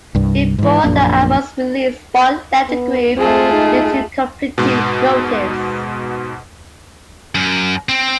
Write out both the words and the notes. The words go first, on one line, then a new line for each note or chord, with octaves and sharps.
Before the album's release, Spawn left the group due to conflicting motives.
C2 G2
G#2 E3
A#1 F#2 A#3 D4
B3
G#3 A3 C4 F4 G#4
D#4
G#2 B2
F#2
C4